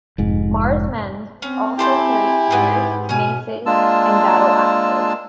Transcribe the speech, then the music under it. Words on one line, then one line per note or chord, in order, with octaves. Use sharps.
Mar's men also carried spears, maces and battle axes.
F1 G#2
C4 C#4
E4 G4 A4 C5 G#5 G6
G#2 B3 C4
B2 C#4 G#5
G#3 A#3 D4 F4 A5 E6